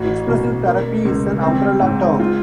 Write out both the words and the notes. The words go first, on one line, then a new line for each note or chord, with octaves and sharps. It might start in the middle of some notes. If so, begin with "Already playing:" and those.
Expressive therapy is an umbrella term.
Already playing: A1 F#4
B2
A#3
C#2
C4
G#2
F4